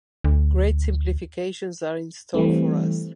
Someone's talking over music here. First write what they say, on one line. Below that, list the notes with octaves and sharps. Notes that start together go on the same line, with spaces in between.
Great simplifications are in store for us.
D2
E3 G3 A3 C4